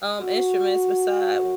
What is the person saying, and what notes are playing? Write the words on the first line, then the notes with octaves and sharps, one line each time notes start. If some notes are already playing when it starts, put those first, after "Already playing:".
um, instruments beside
F#4